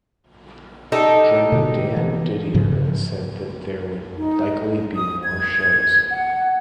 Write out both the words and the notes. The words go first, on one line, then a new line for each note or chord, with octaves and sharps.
Drummer Dan Didier said that there would likely be more shows.
D#4 G4 A4
B2 D3
E3
G#2 C#3 F3
D#4
D#6
G#6
F#5